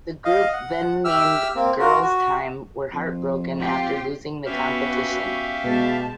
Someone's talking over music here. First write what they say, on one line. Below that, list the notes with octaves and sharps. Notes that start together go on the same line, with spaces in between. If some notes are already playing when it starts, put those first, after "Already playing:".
The group, then named "Girl's Tyme" were heartbroken after losing the competition.
D#5 F5
F#5
G4 E5 E6 F6
A#3 C4
F4 F#4 A#4
F#4
F2
C4 F4 G4
B3 C#4 F#4 G4 B4 E5 F5
B2 G#3 A5